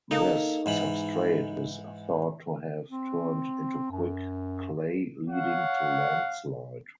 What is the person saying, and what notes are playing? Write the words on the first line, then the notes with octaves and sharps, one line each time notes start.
This substrate is thought to have turned into quick clay leading to landslide.
A#3 D#4 A4
G#2 E3 B5
C4
F#2
C#5 F5 F#5